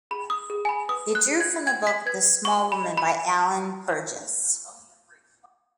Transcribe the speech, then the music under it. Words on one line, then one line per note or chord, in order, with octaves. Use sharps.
It drew from the book "The Small Woman", by Alan Burgess.
G#4 B5
D#6
G#4
G#5
B5
B4 D#6
F#6
G#4
G#6
F#5 G#6
B6
B4 G#6
F#5 C#6
B5
D#5
B5